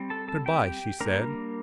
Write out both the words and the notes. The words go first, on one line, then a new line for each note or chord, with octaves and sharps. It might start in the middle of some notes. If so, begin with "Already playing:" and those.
"Good-bye," she said.
Already playing: G3 C4
A4 A5
A4 A5
G4 G5
G3 A#3 D4 A#4 A#5